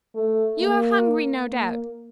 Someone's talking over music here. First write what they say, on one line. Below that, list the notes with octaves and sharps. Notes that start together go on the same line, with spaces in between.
You are hungry, no doubt.
A3
A#3
A#3